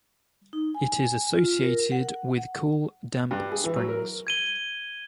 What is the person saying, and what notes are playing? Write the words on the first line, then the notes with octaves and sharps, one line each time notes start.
It is associated with cool damp springs.
D#4
G#5
F4
A#4
F#5
G2
G#4
E3
F#3
A#4
G#6 D#7 G7